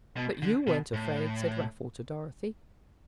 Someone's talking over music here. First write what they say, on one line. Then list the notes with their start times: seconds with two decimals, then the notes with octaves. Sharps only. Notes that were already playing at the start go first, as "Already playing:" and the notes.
"But you weren't afraid," said Raffle to Dorothy.
0.17 B2
0.42 D3
0.67 B2
0.94 A2